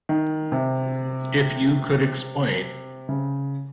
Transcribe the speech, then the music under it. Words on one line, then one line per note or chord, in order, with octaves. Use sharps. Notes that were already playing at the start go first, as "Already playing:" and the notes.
If you could explain.
D#3
C3
C#3